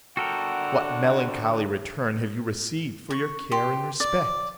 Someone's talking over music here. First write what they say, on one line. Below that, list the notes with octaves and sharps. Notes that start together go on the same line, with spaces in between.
What melancholy return have you received for your care and respect?
D3 F#4 A4 A#4 F#5 G5
C#6
G4 C6
D5